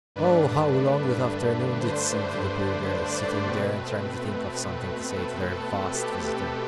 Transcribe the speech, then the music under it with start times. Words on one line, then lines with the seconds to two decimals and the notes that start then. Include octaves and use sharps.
Oh, how long that afternoon did seem to the poor girls, sitting there and trying to think of something to say to their vast visitor!
0.16 G2 D3 A3 D4 B4
1.81 C5
2.22 C5
3.05 D5
3.46 B2 A3 C4 B4
5.12 A4
5.52 A4
5.95 G4
6.35 A4